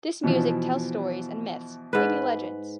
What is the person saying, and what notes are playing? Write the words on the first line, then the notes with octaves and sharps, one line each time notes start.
This music tells stories and myths, maybe legends.
B2 E3 F3
G#2 B4